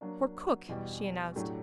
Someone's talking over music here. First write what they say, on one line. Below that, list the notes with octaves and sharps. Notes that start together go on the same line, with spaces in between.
"For cook," she announced.
F#3 A#3 D4 F#4
E2 B2 G3
A2 F#3 A3 D4 G4